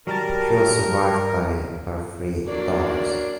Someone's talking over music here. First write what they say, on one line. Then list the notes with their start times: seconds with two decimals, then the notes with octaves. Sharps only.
She was survived by her Three daughters.
0.07 F#3 G3 A#4 A5
2.46 F#3 A#3 D4 D5